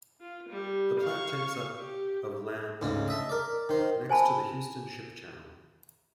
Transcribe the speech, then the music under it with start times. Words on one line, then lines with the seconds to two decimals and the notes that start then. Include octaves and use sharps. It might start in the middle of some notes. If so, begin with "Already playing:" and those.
The plant takes up of land next to the Houston Ship Channel.
0.21 F4
0.49 G3
1.01 F5 C#6
1.75 G4
2.81 D2 G#2 C#3
3.08 D#5 E5 A5
3.29 A#4 D5
3.69 D#3 C5
4.09 C5 G#5 A5 B5